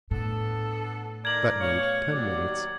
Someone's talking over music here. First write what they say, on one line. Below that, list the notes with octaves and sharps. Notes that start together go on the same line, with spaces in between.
That made ten minutes.
A2 B3 D4 A4
D#3 A3 A#4 D5 G#6 F#7
F#2 B2 C#5 F5
D#2 F#3 D5